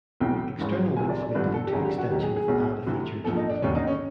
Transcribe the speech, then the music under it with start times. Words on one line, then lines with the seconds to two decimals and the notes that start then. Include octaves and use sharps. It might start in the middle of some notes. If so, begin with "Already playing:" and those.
External links may lead to extensions that add a feature to a client.
0.20 B1 A2 E3 G5
0.58 A1 G#2 E3
0.96 C#2 C3 F3 G#5
1.09 D5
1.22 D5
1.34 G#1 G2 D3 F3 B4
1.54 A4
1.67 G4
1.72 G#1 F#2 D3 G#4
1.85 G4
1.98 F#4
2.10 D#2 D#3 F#3 G4
2.23 G#4
2.36 G#4
2.48 B1 B2 F#3
2.86 D2 C3 E3
3.24 A#1 A#2 F3 A4
3.37 D#4
3.50 D4
3.62 E1 D#2 D3 C#4
3.75 D#4
3.87 C#4